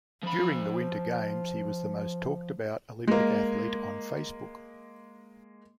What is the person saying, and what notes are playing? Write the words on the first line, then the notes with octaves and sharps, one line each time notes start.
During the winter games, he was the most talked about Olympic athlete on Facebook.
F3 B5
G#3 A#3